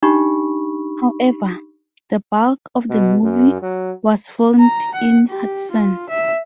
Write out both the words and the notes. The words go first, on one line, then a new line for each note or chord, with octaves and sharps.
However, the bulk of the movie was filmed in Hudson.
D4 D#4 G4 B5 C#6
B2
F#2
F#3
A#5
F#5
G4
F4
E5